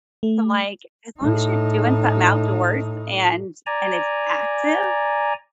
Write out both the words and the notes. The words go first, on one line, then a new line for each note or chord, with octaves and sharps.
So I'm like, as long as you're doing something outdoors and and it's active,
A3
A2 D#4
D5 G#5 A#5